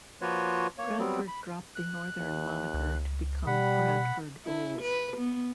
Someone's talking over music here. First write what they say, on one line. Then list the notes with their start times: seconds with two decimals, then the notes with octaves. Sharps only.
Bradford dropped the Northern moniker to become Bradford Bulls.
0.21 F3 A#3 F4 F#4 B4 C#5
0.78 A#3 C#5
0.99 F#3 G3 B3 C4
1.28 B5
1.75 F#6
2.19 D#2
2.74 C#2
3.47 B2 G3 F#5 B5
4.45 E4
4.82 B4
5.17 B3